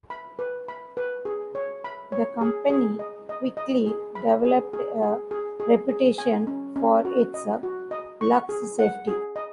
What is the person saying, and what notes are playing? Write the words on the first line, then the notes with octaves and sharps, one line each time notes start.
The company quickly developed a reputation for its lax safety.
B5
B4
B5
B4
G#4
C#5
B5
C#5
G#4
G#4
D#5
D#5
D#5
G#4
B5
G#4
G#4
G#4
G#4
G#4
G#4
G#5
C#4
C#4
F#4
D#5
F#4
D#5
C#6
G#4
F#5
G#4
D#5